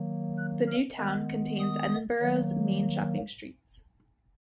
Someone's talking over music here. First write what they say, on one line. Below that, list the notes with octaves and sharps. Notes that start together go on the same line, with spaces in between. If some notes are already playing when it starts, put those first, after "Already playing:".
The New Town contains Edinburgh's main shopping streets.
Already playing: D#3 F#3 A#3
F#6
F6
D#3 G#3 B3 F#6
D#6
D#3 F#3 A#3